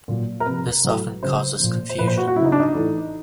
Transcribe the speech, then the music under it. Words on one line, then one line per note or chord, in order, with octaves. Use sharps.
This often causes confusion.
A#2 F#3
A#4
C3 F3 B4
A2 F#3
C#3 F#3 C5
A#2 F3
C5
A#2 F3 B4
C5
F#4
F#4
C#3 F#3 E4
D#4
D4
D#4
A2 E3